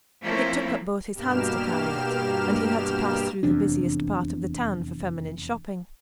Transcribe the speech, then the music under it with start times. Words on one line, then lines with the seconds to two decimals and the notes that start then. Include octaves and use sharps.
It took up both his hands to carry it; and he had to pass through the busiest part of the town for feminine shopping.
0.22 F3 A3 A#3 C4 C#4 E4
1.14 G2 B2 A#3 G4 F6 E7
3.43 F1 E2 C3 D4